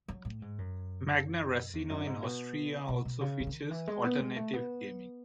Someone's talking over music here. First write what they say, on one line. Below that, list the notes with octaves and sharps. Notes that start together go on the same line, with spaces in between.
Magna Racino in Austria also features alternative gaming.
F#3
A2
G#2
F#2
E2
F#2
G#2
B2
B2
B2
C#3
E3
D#3
E3
G#3
B3
G#3
A3
B3